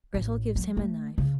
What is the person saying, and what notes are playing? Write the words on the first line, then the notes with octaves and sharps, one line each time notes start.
Grettel gives him a knife.
A1
F#3
A3
C#3